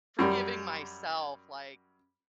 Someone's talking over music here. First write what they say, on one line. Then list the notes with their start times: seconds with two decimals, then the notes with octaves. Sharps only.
forgiving myself, like
0.19 F#2 G3